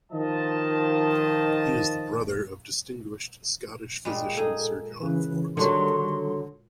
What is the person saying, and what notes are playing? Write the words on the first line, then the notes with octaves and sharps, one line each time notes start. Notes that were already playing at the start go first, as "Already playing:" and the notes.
He is the brother of distinguished Scottish physician Sir John Forbes.
D#3 F3 D#5 A5
A#2 G3 G#3
D#4 G#4 A4 G#5
C#3 E3 B4
D3 D#3 F#3 G3 C6